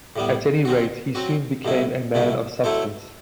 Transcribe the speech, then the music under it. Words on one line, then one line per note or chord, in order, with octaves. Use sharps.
At any rate, he soon became a man of substance.
A2 G3 B3
F#3 C4 F#4
F#3 C4 F#4
C2 B2 A3 E4
C2 B2 A3 E4
F#3 A3 E4 A4 C5